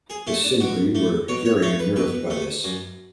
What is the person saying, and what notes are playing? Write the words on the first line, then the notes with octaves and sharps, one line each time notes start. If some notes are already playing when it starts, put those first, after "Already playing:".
The Cimbri were very unnerved by this.
G#4
A3 E4
D4
B2 F#4
A3
B2 C#5
C#5
A3 C#5
B4
B2 B4
A3
F#2